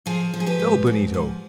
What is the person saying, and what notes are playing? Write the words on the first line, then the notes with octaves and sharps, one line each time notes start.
No, Benito!
F3 F4 G#4
F3
G#4
G4 B4
G#2
G#2
F3